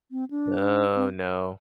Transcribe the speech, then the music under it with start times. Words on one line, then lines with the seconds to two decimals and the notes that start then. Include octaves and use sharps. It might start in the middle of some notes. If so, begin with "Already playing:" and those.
Oh no.
0.11 C4
0.30 D4
0.96 C4